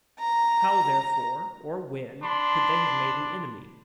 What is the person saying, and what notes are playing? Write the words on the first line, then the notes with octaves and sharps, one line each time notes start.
How, therefore, or when could they have made an enemy?
A#5
D4 B5 C6